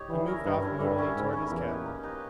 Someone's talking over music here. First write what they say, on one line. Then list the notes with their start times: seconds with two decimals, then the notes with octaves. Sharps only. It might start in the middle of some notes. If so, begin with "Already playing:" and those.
He moved off moodily toward his cabin.
Already playing: D#4 G4 C#5
0.10 E3 G3
0.28 C#4 E4 A#4
0.45 G2 G3
0.62 C#4 E4 A#4
0.80 G2 G3
0.98 C#4 E4 A#4
1.15 G#2 G3
1.33 C#4 E4 A#4
1.50 E2 A#3
1.68 D#4 G4 B4
1.86 A#3
2.03 D#4 G4 B4